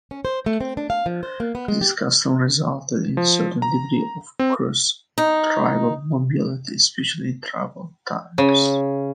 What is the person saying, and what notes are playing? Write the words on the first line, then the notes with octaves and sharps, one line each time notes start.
This custom resulted in a certain degree of cross-tribal mobility, especially in troubled times.
C#4
C5
A3
C4
D4
F5
F3
C5
A#3
B3
G#3
G4
F3
A#5
C4
D#4
C#3